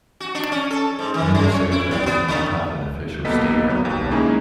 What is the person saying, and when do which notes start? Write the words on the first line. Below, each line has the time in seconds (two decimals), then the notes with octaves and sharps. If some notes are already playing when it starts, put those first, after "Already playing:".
Minnesota does not have an official state reptile.
0.20 F#4
0.35 D4
0.52 C#4
0.70 A4
0.99 G#2
1.14 D#3
1.35 C#3
1.54 C#5
1.72 E4
1.91 F#3
2.06 B3
2.28 D3
3.25 B1 A#3 B3 A4 D#5 B6
3.69 F#3 B3
3.85 D#2
4.11 G#3 A#3 C#4 D#4 E4 G#4